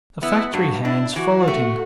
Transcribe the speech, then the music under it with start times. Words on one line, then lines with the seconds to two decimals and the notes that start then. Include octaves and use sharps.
The factory hands followed him.
0.23 B3 E4
0.53 G2 F#4
0.85 D4 E4
1.16 E3 F#4
1.48 A3